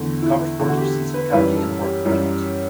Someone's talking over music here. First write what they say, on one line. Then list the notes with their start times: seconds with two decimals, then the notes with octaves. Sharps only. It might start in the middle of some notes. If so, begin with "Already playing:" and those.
It covers parts of Cecil County and Harford County.
Already playing: E2 D3 A3
0.22 E4
0.59 E2 D3 A3
0.69 F#4
0.78 G4
1.14 B4
1.32 F#2 E3 G3 B4
1.56 A4
1.81 G4
2.05 F#2 E3 G3